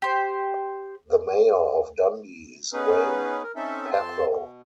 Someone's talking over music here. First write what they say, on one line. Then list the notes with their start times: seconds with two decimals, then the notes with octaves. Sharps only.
The mayor of Dundee is Wayne Paplow.
0.02 G4 C5
2.73 B3 C#4 D#4 G#4 B4
3.43 A#4
3.56 C4 C#4 D#4 A4 E5
3.92 F2 C4 A5 C6
4.29 B2